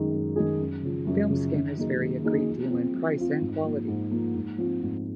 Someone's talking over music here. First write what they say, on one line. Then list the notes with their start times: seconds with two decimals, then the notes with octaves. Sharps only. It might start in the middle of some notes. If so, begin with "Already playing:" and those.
Film scanners vary a great deal in price and quality.
Already playing: F#2 D#3 G#3 D#4 G#4
0.13 F#2
0.36 D#3 G#3 D#4 G#4
0.60 F#2
0.83 C#3 F3
1.07 F#2
1.29 C#3 F3
1.53 D#3
1.77 F#3 A#3 D#4 G#4
2.00 D#3
2.24 F#3 A#3 D#4 G#4
2.48 F3
2.71 C4 F4
2.94 F3
3.18 C4 F4
3.41 G#2
3.64 F3 A#3
3.88 G#2
4.11 F3 A#3
4.35 G#2
4.58 F3 C4 F4
4.82 G#2